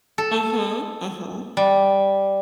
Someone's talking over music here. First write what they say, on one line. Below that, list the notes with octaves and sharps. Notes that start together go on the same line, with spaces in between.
Mhm, mhm.
A4
G3